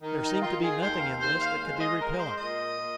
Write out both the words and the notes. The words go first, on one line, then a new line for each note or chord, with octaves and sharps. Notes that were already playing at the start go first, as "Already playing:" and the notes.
There seemed to be nothing in this that could be repellent.
D#3 D#4
D#4
D#3 F4
G#4
D#2 C5
F5
D#2 C5
F5
G#3 F5
C5
D#5
G#3 A#4
C5
A#2 D#5
A#2